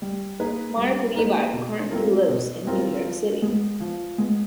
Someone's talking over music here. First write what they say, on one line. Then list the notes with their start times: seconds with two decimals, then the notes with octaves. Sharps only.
Marc Levy currently lives in New York City.
0.02 G3
0.40 A#3 D#4 G#4 B4
0.77 G3
1.15 A#3 D#4 G#4 B4
1.53 B2
1.91 G3 C4 F4 A#4
2.28 B2
2.67 G3 C4 F4 A#4
3.04 F3
3.42 G#3 B3
3.80 F3
4.18 G#3 B3